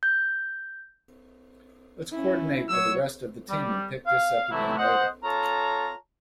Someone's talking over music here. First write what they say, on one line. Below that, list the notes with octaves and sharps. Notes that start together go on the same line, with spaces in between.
Let's coordinate with the rest of the team and pick this up again later.
G6
C#4 E4
F#3 C#5 E6
G3
F5
C3 E3 F#3 A3 E4
C5 D#5 F#5
F4 A4 C#5 A5 A#5